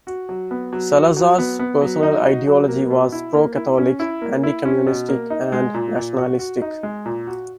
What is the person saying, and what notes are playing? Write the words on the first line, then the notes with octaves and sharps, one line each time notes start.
Salazar's personal ideology was pro-Catholic, anti-communist and nationalistic.
F#4
F#3
B3
F#3
F#4
F#3
B3
B3
F#3
D#4
F#4
F#3
A#3
B2
E4
A#3
E4
C#4
E4
A#3
E4
C#4
B2
A#3
D#4
G#3
A#2
A#2
F#4
F#4
D#4
G#3
A#2
F#4